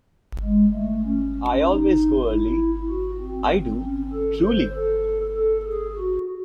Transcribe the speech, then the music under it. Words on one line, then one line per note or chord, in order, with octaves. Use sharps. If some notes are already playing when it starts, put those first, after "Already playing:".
I always go early, — I do, truly!
G#3
A3
C#4
D#4
E4
F#4
C4
C4
C#4
A4
C5
A4
A4
G#4
F#4